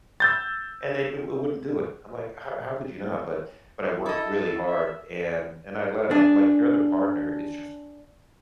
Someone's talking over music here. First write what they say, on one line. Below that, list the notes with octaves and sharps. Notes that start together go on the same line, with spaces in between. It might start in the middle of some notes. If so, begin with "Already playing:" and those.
and they d wouldn't do it. I'm like, "How how could you not?" But but I worked really hard, and and I'd let 'em like, "Your other partner is just
E6 G6 A6
E4 A4 D#5
E5
D4 G#4